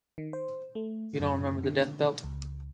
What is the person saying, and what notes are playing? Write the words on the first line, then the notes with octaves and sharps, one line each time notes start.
You don't remember the Death Belt?
D#3
C5
A3
F#2
D3
C#2